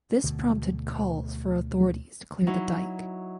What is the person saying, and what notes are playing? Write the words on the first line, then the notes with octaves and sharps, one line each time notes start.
This prompted calls for authorities to clear the Dyke.
D2 B2 D3
F#3 D#4 E4